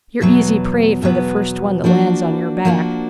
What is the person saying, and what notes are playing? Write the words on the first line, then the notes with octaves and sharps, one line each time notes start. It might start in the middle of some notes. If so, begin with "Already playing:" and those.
You're easy prey for the first one that lands on your back.
E2 B2 F#3 B3
E2 B2 F#3 B3
F3 A#3 D4 F#4
F3 A#3 D4 F#4